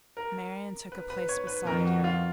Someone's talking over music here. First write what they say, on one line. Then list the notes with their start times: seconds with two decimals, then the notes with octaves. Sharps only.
Marian took a place beside her.
0.17 A#4
0.92 B4
1.10 B4
1.29 C#5
1.47 B4
1.66 F2 A#4
1.85 F#4
2.04 F4